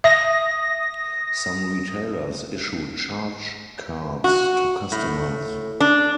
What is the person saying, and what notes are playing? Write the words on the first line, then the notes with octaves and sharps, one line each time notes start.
Some retailers issue charge cards to customers.
E5 D#6 A#6
F#4
A2
D4